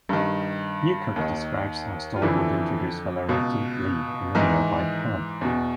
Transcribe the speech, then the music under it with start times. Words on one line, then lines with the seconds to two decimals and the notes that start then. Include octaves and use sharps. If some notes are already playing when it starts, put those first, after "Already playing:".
Newkirk describes how Stallwood introduced Valerie to Lee in a nearby pub.
0.09 G2 D#3
1.16 D#2 D#3
2.16 F4
2.22 F2 D3 E3 F3 E4
3.29 C#2 B2
4.35 G#2 D#3 E3 D#4
5.41 E2 B2